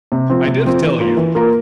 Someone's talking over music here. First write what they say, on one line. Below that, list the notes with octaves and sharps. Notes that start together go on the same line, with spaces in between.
I did tell you.
C3
F3 C4
C3
F3 C4
E3
A#3 F4 A#4
E3
A#3 F4 A#4